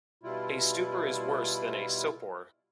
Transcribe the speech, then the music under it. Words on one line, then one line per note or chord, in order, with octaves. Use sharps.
A stupor is worse than a sopor.
B2 G3 E4 F4